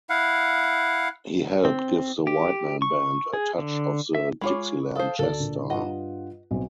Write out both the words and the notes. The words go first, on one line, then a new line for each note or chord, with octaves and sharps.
He helped give the Whiteman band a touch of the Dixieland jazz style.
E4 F5 F#5
C4
G4
C#6
G#4
D3
E5
G#3 F4 C#5 B5 C#6 D6
A4 C5 F5 D#6
D2 A4 D5
A#2 D3
G2 F4 D#5 F#5
B1 C4